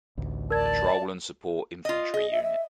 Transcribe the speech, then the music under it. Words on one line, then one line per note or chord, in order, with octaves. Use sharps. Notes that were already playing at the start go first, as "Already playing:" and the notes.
Patrol and support infantry unit.
A1 D2
A#4 D5 A5 G#6
F4 D#5
G#4 D#5
E5
E5